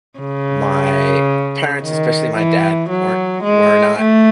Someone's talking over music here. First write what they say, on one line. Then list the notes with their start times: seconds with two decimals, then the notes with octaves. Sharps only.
my parents, especially my dad, weren't were not
0.19 C#3
1.82 D#3
2.36 E3
2.90 F#3
3.43 G#3
3.98 A3